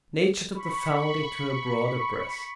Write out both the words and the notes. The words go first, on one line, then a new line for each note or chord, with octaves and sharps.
Nature took the foundling to her broader breast.
B5 C#6